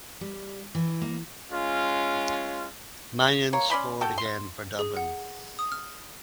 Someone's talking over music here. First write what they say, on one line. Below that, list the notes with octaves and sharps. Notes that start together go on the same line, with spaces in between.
Mannion scored again for Dublin.
G3
E3
A#3
G#3 C#4 F4
A#3 C#5
C#4 D5 B5 C6
F#4 A4 G5
C6
G#4
F#5
D#6
F6